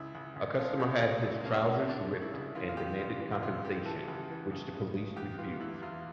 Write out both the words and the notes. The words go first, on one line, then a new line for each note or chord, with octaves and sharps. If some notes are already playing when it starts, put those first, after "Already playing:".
A customer had his trousers ripped and demanded compensation, which the police refused.
Already playing: C#2 E4
C#2
C#2
F3 F4
C#2 G4
C#2 F4
C#2 E4
A#3
F3 C#4
C#3
C#3 D4
C#3
E4
C#2
E3 F4
F4
C#2 G4
C#3 F4
E3
E4
C#2 F4
E3 G4
E3 A4
C#2
E3
C#3
C#3
C#3
E2 G4
E3 F4
E2 E4
E2 F4